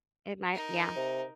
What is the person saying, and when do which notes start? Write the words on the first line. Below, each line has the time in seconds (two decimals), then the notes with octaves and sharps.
It might Yeah.
0.53 D#4 A#4
0.96 C3